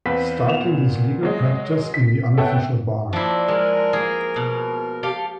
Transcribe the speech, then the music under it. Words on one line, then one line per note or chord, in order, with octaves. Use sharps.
Starting his legal practice in the Unofficial bar.
E2 C4 B4 F5 B6
A#2 B3 E7 F7
F#3 G#3 D#5
B6
B3 A4 C#5 E5 F#5 G5
F3 A#3 D4 E4
G#3 A#4
A#3 G#4
B2
G4 A4 F5